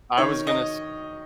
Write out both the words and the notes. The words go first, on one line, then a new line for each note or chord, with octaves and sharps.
I was gonna s
D#3 C#5
D#5